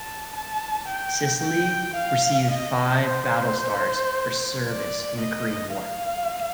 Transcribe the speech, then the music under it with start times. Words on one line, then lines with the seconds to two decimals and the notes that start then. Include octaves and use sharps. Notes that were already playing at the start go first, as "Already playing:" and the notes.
"Sicily" received five battle stars for service in the Korean War.
Already playing: A5
0.36 A5
0.89 G5
1.44 G5
1.96 F5
2.51 D#5
3.05 C5
4.67 D5
5.20 D#5
5.75 F5